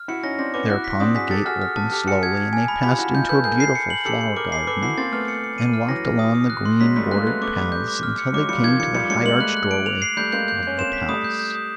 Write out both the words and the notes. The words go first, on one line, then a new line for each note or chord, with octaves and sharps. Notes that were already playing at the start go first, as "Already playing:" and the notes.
Thereupon the gate opened slowly, and they passed into a beautiful flower garden, and walked along the green-bordered paths until they came to the high-arched doorway of the palace.
Already playing: F6
E4 F#4 C#7
C#4 D#4 A#6
C4 D4 A#6
B3 C#4 D6
E4 F#4 F#6
B6
C4 D4 D#6
F#4 G#4 B6
G4 A4 A6
F#4 G#4 F6
F6
A5
G4 A4 F6
F#4 G#4 C#7
G#6
G#6
G#5
B5
F4 G4 B5
E4 F#4 B5
D#4 F4 G6
A4 B4 G6
G#4 A#4 G6
C7
C#7
F#7
G4 A4 C#7
C#7
G#4 A#4 D6
C7
A4 B4 D6
E4 F#4 C7
A#3 C4 A6
A3 B3 F6
C#7
C#7
D#7
F6
E3 F#3 A#6
F6
D#6
D#6
F#6
C6
F#3 G#3 B6
G3 A3 B6
G#3 A#3 F#6
A3 B3 F#6
A3 B3 D6
G3 A3 D6
G6
D6
F6
C#7
F#3 G#3 D6
F3 G3 C#7
D#3 F3 G#6
F3 G3 C#7
F3 G3 C#7
F#3 G#3 C#7
G#3 A#3 F#7
G3 A3 F#6
F#6
D7
F7
C7
G3 A3 G6
G#3 A#3 G6
G6
C#4 G6
A#3 C4 E7
B6
G3 A3 D#6
G6
G6
D#6